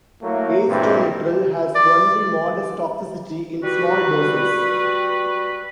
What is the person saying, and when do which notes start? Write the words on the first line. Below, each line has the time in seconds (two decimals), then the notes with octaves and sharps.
Acetonitrile has only modest toxicity in small doses.
0.22 F#3 A3 A#3 E4
0.68 G2 A#2 E3 C4 E4
1.75 D5
3.63 G3 F#4 B4